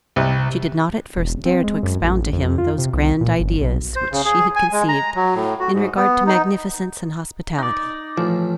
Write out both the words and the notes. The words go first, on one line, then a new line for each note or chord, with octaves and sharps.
She did not at first dare to expound to him those grand ideas which she had conceived in regard to magnificence and hospitality.
C2
E1
C4
G#3
F#2
A1
F2
F4
C3
C2
A#2
G1
B1
C5
C#3
G#4
G#5
G#3
A#5
F#3
A2
F#4
G#2
B3
D#4
D#4 D5
A1 F3